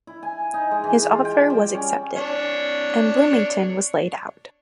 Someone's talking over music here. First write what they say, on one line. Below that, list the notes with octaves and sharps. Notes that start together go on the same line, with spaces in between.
His offer was accepted, and Bloomington was laid out.
E4
G#5
D#4
G#3
E3
F4
G5
G3
C#4
D4 C#5